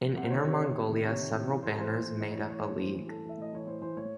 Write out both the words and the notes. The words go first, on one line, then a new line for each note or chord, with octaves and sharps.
In Inner Mongolia, several banners made up a league.
C3 F#5
C5
D#3 C#5
C3 C#5
D#3
C3
D#3
C3 C#5
D#3
C3
E3
C3 C5
A4
E3 C5
A2
E3
A2 D#5
E3 C#5
C5
A2 C#5
E3
A4
A2 C5
E3 C5
A2 A4
E3
E5
A2 D#5
E3 C#5
A2 C5
E3 C5
A2 C#5